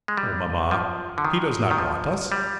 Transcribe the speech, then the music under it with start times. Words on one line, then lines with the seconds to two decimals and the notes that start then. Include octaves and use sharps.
"Oh, mamma, he does not want us."
0.08 G#3
0.17 G3
0.71 F3
1.18 D3
1.25 D#3
1.71 D#3
1.78 F3
2.32 G3